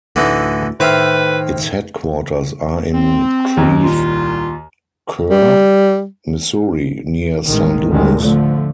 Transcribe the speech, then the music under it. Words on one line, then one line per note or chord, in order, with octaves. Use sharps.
Its headquarters are in Creve Coeur, Missouri, near Saint Louis.
D2 A2 D3 E3 D#4
A2 D#3 B4 C5 E5 F5 G5 F6
C4
D#2
C2 A#2 F4
G3
A1 D#3 G#3
D2 A2 D#3 G3 G#3
D3 F3 A3